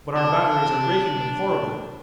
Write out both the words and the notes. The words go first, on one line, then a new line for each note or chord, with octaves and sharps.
But our batteries are raking them horribly.
D4 A5